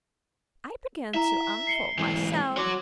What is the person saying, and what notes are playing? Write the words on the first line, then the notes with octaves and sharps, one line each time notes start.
I begin to unfold myself.
E4 E5 A#5
C7 C#7 G7
G#2 E3
F#4 C#5 C6 D6